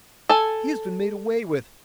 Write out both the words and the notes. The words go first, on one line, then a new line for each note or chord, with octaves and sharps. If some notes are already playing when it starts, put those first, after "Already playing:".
He has been made away with.
A4 G#5